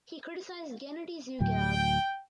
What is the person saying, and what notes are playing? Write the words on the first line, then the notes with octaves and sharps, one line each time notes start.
He criticized Gennady Zyuganov.
D2 A2 F#3 G5